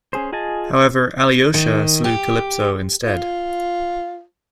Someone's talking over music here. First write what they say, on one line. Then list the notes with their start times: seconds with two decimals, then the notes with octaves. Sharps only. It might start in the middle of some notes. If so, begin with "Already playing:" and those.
However, Alyosha slew Calypso instead.
0.13 C#4 G#4 C5
0.32 F4 G#4 D#5 G#5 A5
1.54 D#3
2.04 G4
3.06 F4